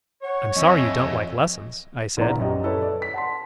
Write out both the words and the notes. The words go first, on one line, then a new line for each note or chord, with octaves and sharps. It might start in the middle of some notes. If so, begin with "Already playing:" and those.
"I'm sorry you don't like lessons," I said.
C#5 F#5
F2 E4 D#5 G#5
A#1 B3 E4 D5 A#5
F#2 G4 D#5
E4 A4 B4 C#5
D5
B6
F#5 A5 C6